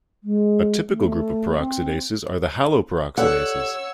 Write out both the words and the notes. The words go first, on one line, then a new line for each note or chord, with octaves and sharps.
A typical group of peroxidases are the haloperoxidases.
G#3
A3
C4
G4 A4 C#5 D5 F#5 E6